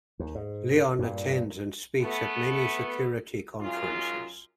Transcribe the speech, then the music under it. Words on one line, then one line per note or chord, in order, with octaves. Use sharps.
Lyon attends and speaks at many security conferences.
D#2
G#2
G2 A#2
A3 B3
F#2 D#3 G#3 F4